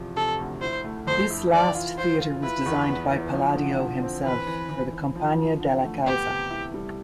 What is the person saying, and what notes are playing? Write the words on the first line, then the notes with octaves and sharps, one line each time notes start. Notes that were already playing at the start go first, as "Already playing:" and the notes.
This last theatre was designed by Palladio himself, for the Compagnia della Calza.
Already playing: E2 C3 F3
C3 A4
D2
E4 C5
A3
F2 C5
E4
E3 D5
F4
F4 C5
F4
E4 B4
E2
B3
E4
F3
D3
F3
C4
E3 B4
E3
E3
E3
F3
F3
D3
A3
B3 G4
C3
E4
G3